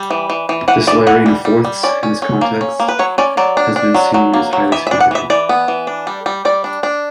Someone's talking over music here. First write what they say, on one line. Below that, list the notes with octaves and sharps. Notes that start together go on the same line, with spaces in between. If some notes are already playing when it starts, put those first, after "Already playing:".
This layering of fourths in this context has been seen as highly significant.
Already playing: G3
E3
E3
E3
E3 F#5
E3 D5
E3 F#5
G3
G3
G3
C#4 D5
C#4
C#4
A#3
C#4
A#3
B4
F#3 C#5
C#4 D5
F#3 D5
D4
D4
F#3
F#3
A#3
F#3
E3 E5
E5
D4
F#5
E3 E5
E3 D5
B3
E3
D4
G3
G3
G3 D5
D4
D4